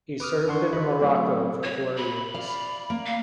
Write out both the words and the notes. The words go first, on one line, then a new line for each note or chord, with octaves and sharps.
He served in Morocco for four years.
B4 D6 D#6 F6
D3 D4 F#5 C6 C#6
F#4 B4 C5 D#5 B5
F#3 A3 C4 G4
C#5
B5
D5 F5
A#3
F5